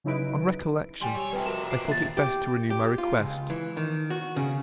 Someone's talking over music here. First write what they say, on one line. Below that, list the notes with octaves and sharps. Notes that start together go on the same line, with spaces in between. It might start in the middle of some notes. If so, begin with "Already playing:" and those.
On recollection, I thought it best to renew my request.
C#3 F#3 D#4 E4 B4 D7
G3 G5 G#5 C6
B1 G3 C#5 E6
F2 C3 B4 G5
F#4 A#4 A#5 E7
D6 F#6 C7
D#2 A#2 E5 A6
G4
G4
F4
C#2
E3
D#3
F#4
C#3